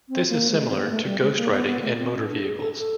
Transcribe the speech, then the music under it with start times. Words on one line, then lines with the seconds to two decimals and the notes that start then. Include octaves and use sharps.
This is similar to ghost-riding in motor vehicles.
0.09 C4
0.29 A#3
0.50 G#3
0.60 A3
0.69 C4
0.76 B3
0.83 A#3
0.90 A3
1.06 G3
1.21 G#3
1.36 A#3
1.52 B3
1.67 B3
1.82 A3
1.97 C4
2.13 C#4
2.28 D4
2.43 G#4
2.59 A4
2.78 A4